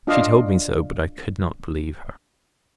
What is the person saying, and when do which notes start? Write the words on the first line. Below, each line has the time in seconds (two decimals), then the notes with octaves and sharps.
She told me so, but I could not believe her.
0.07 D4 F4 D5 D#5 F5